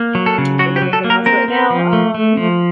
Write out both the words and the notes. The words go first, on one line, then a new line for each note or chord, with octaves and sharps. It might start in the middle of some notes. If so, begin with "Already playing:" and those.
I can't think of anything else right now. Um,
Already playing: A#3
F#3
A4
C#3
F#3 F#4
G4
F#3
A4
A#3
A#4
C4 A#4
C4
F3
A3
A3
F3